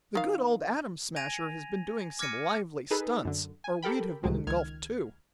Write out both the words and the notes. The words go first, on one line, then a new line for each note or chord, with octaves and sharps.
The good old Atom Smasher has been doing some lively stunts, or we'd have been engulfed too.
D#3 F5
G#5 G#6 A#6 D#7 F7
D6 F6 G#6 A#6 C#7 D#7
D#4 G#4 A4 B4
F#2 D3
G#5
G4 A4 A#4 G5 B5
C#2 A2 C3 F#3 G#3
C#2 D#3 F6 G#6